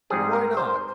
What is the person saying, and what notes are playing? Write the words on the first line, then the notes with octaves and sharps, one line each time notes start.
"And why not?"
G#2 G3 C4 G#4
A#4
C5